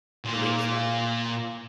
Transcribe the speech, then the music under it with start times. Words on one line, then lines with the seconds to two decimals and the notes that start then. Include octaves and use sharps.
delete stuff.
0.25 A#2 F4